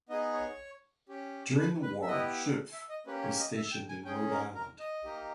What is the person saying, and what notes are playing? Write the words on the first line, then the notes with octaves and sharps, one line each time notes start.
During the war Schoepff was stationed in Rhode Island.
B3 D#4 G#4 D#5
C#5
C#4 G4
B4
B4
E5
B3 E4 G4 D#5
E5
D#5
A#3 C#4 G4 B4
C#5
D#5
E5
G5
G#5
C#4 G#4 G5
A#4
A#4
D#5
A#3 D#4 G4